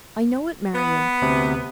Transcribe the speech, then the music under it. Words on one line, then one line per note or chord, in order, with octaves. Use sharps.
"I know it, Marian."
B3
D2 C3